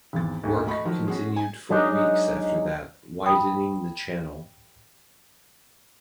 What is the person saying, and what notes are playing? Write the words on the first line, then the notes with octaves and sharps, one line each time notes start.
Work continued for weeks after that, widening the channel.
G#1 E2 A6
D2 G#2
A3 F#4 D#5 B5 C#6
D#3 F3 F#3
C#4 F#4 G#4
G#5
F#3 G#3 D4 D#4
G5 B5 D#6